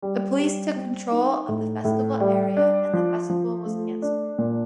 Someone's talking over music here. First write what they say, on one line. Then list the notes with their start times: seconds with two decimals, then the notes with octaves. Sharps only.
The Police took control of the festival area and the festival was cancelled.
0.02 G3
0.39 G3
0.76 C4
1.11 D#4
1.48 A2
1.85 A2
2.20 G3
2.57 D4
2.93 F3
3.30 F3
3.65 A3
4.02 D4
4.38 A#2